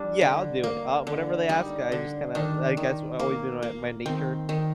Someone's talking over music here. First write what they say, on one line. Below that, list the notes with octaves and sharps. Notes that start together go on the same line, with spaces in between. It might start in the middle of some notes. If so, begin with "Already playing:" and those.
Yeah, I'll do it. I'll whatever they ask, I just kinda I guess, that's always been my my nature,
Already playing: G3 D4
D3
A#3
D3
G3 D#4
D3
D#3 D4
D#3
A#3
A#3
D#3 C4
D#3